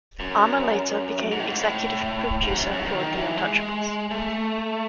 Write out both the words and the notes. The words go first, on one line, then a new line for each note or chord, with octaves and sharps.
Armer later became executive producer for "The Untouchables".
F#2
G#2
A2
G#2
A2
G#2
F#2
F#2
D#3
D#3
F#3
E3
G#3
A3